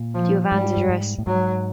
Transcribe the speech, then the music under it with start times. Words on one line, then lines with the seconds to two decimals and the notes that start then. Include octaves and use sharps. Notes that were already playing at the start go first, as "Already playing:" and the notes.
Do you have Anne's address?
Already playing: A#2
0.14 F3
0.52 G#2 G3
0.77 G2
0.89 G#2
1.18 A2
1.27 G#2 F#3